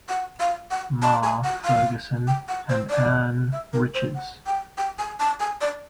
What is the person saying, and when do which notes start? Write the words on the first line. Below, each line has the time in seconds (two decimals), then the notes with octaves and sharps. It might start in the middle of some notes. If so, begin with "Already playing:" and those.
"Ma" Ferguson and Ann Richards.
0.09 F#5
0.40 F5
0.71 F#5
1.02 A5
1.23 G#5
1.44 F#5
1.65 F5
2.27 G5
2.48 F#5
2.70 C5
2.90 D5
3.52 E5
3.73 A#4
3.94 C5
4.15 F#5
4.46 G5
4.78 G5
4.99 G#5
5.20 A5
5.40 G#5
5.61 D5